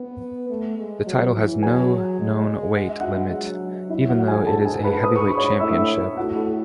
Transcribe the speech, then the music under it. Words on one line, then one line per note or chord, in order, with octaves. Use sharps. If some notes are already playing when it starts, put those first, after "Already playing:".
The title has no known weight-limit, even though it is a heavyweight championship.
Already playing: B3
A3
G#3
F#3
E3
F#3 G#4 G#5
G#3
F#5
E5
F#4 F#5
F#3
E4 E5
F#4 F#5
F#5
G#4 G#5
G#2 A4 A5
G#4 G#5
B4 B5
G#2 D#6
C#6
G#2 B5
C#5 C#6
A2 E5 E6
A2 F#4 F#5
A4